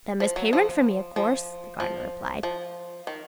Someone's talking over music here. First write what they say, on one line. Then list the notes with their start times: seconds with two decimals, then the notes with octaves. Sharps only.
"Them as pay rint for me, a course!" the Gardener replied.
0.20 F3
0.36 F#3
0.53 F3
1.16 F3
1.80 F3
2.43 F3
3.07 D#3